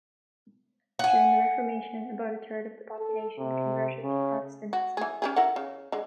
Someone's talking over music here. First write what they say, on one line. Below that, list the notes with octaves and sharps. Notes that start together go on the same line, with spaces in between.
During the Reformation, about a third of the population converted to Protestantism.
F#5 G#5
A4
C3
C#3
F#4
E3 G#4
C#4 G4 G#4
E4 A#4 F#5
C#3
D3 G#3